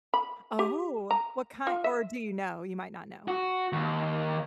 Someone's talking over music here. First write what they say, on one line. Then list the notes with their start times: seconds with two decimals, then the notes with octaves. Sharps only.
Oh ooh, what kin or do you know? You might not know.
0.14 B5
0.59 G4
1.11 A#5
1.67 F4
1.84 E5
3.28 F#4
3.72 D#2